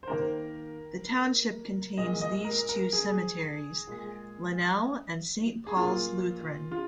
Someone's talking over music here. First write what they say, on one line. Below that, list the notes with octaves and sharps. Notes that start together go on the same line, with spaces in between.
The township contains these two cemeteries: Linnel and Saint Paul's Lutheran.
C5
D#3 A#3 A#4
A#2 G#3 D#5
D#5
A#4
A#4
G#4
A#2 G#3
G#4
A#2 A#3 F4
F4